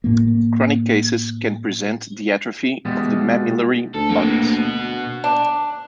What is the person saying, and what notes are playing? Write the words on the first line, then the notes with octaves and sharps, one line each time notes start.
Chronic cases can present the atrophy of the mammillary bodies.
A2 A#3
B2 G3 G#3 E4
D2 A4
A#3 C4
B2 B3
D4